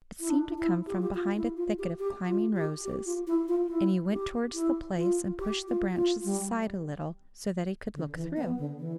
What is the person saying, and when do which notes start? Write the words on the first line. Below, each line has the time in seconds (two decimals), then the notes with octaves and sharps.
It seemed to come from behind a thicket of climbing roses; and he went towards the place and pushed the branches aside a little, so that he could look through.
0.20 E4
0.30 D4
0.58 E4
0.87 G4
0.94 F4
1.02 G4
1.15 F4
1.36 E4
1.57 F4
1.78 G4
1.99 G4
2.28 F4
2.56 G4
2.85 G4
3.06 F4
3.27 E4
3.48 F4
3.69 E4
4.12 G4
4.54 E4
4.97 F4
5.39 G4
5.68 F4
5.96 F4
6.25 G3
7.94 D3
8.15 E3
8.36 B3
8.58 D3
8.79 E3